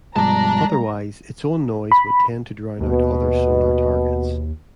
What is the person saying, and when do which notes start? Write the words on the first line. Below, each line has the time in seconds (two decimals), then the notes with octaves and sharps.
Otherwise, its own noise would tend to drown out other sonar targets.
0.16 G2 B2 F3 G3 G#3 D5 A5 A#5
1.92 B5
2.81 D#2 B2